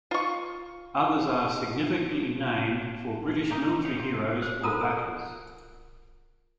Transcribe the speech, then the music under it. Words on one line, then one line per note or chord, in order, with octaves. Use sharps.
Others are significantly named for British military heroes or battles.
F4 C#6
A#2
A#2 A#3 C4 D#4 G4 D#5
D#4 B4 C#5
C3 C5
C5
F4 A4 A#4 A#5 D#6